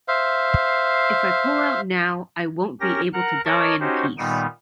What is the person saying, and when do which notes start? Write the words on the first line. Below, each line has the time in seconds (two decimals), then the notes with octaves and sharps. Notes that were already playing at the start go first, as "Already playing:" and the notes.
If I pull out now, I won't be able to die in peace.
0.08 C5 E5 F5
2.80 C#4 G4 A#4 A#6
3.13 A#4 F#5 A#5 F#6
3.45 A#4 C#5 D#5 A5 C#6 D6
3.80 C#4 D#4 F#4 G4 C5
4.18 A#2 D#3 G3 B3 D#4